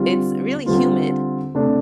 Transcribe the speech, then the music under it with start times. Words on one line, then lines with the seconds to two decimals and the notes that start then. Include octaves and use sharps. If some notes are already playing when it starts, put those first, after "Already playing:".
it's really humid,
Already playing: D3 G3 C4 F4
0.66 D3 G3 C4 F4
1.55 C3 A3 D4